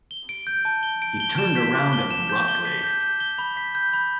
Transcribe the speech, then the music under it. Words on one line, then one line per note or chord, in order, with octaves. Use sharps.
He turned around abruptly.
G7
D7
G6
A5
G7
D7
G7
E7
B6
D6
G7
E7
G6
G7
B6
G6
G6
G7
B5
B6
G6
B5